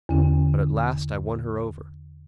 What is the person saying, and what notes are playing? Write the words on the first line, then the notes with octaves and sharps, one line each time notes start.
But at last I won her over.
E2 D3 C#4